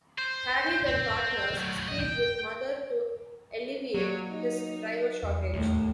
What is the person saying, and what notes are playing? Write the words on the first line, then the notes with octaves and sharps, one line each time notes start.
Harry then partners Speed with Mother to alleviate his driver shortage.
C5
C4
F#3 A3
D#5
G5
F#3 A#3 C#5
D#4
E2 G3
D#2 A2